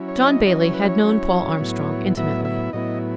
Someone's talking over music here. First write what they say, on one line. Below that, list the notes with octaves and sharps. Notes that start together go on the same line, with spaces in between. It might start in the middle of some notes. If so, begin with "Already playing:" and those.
John Bailey had known Paul Armstrong intimately.
Already playing: F#3 C#4 E4
C#5
C#5
D#5
F#3 C#4 E4 D#5
C#5
B4
C#5
F#3 C#4 E4
A2 F#3 B3 E4
A2 F#3 B3 E4 E5
E5
A2 F#3 B3 E4 D#5